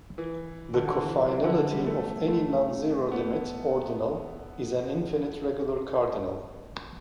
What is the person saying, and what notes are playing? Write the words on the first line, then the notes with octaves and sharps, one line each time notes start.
The cofinality of any nonzero limit ordinal is an infinite regular cardinal.
E3
D3
D3
E3
F#3
E3
D3
E3
G3
B3
A3
A3
B3